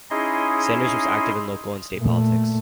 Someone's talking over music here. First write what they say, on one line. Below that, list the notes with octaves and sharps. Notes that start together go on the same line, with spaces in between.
Sanders was active in local and state politics.
C#4 D#4 E4 G#4 D#5 C6
A#2 A3